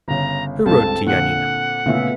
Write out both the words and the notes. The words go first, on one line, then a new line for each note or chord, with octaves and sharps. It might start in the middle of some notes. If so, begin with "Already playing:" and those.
"Who wrote to Yanina?"
G1 C#3 A#5
C#2 G2 C4 A4 A5
A#2 D3 F#5
A#2 C#3 A3 B3 E5